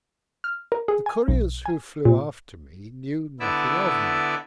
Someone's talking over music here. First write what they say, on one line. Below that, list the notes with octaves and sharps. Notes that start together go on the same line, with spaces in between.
The Couriers, who flew after me, knew nothing of me.
F6
A#4
G#4
G#5
B1
G#5
A#2
D3 B3 E4 D5 E5